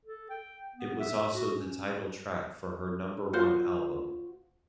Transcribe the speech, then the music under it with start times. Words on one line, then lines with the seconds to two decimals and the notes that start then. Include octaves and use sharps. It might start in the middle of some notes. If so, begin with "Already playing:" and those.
It was also the title track for her number one album.
0.05 A4
0.30 G5
0.76 B3
1.00 E5
1.34 F#4
1.53 C#4
3.33 F4 F#4 C5